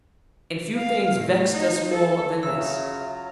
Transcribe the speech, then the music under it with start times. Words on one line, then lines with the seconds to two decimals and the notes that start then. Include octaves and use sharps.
And few things vexed us more than this.
0.77 F5
1.15 A2
1.51 D#4
1.91 A4
2.43 C#3 F#3 F4 E5 A#5 E6